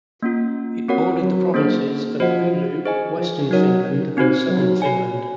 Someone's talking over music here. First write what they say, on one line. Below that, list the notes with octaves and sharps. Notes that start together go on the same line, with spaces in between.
It bordered the provinces of Oulu, Western Finland and Southern Finland.
A#3 C#4 F4
C4 F#4 A#4 C#5 F#5
F#3
A#3 C#4 G#4 C5
F3 F#4 C5 D#5 F#5
G#4 C5 D#5 G#5
F3
F#3 D#4 A#4 C#5
C4 D#4 F#4 C5
F#3
F#4 C#5 G#5